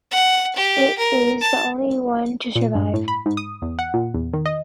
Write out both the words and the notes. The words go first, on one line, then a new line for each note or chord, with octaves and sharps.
It is the only one to survive.
F#5
G4
A#4
A5
A#2
G2
A2
B5
G#2
D#6
E2
F#5
A#2
E2
D#3
D#5